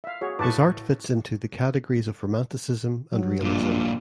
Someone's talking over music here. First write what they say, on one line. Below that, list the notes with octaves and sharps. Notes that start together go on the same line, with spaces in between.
His art fits into the categories of romanticism and realism.
E5 F5
F#4 G#4 C#5
A2 B4 A5 C#6 D6
F#3
A#1 G2 A#2